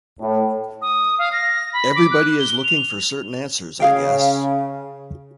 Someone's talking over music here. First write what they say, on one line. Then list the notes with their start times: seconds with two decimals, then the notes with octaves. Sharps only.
Everybody is looking for certain answers I guess.
0.21 A2
0.82 D#6
1.19 F5
1.33 A#6
1.73 B5
1.96 D6
2.11 F#6
2.39 G7
2.64 F7
3.80 C#3 G#4 F5 G5